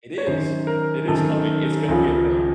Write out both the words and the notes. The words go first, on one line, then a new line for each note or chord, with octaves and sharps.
It is. It is coming, it's gonna be a thing.
C#5
F#2 D#3 C5
A#4
F#2 D#3 A4
C#2 C#3 F3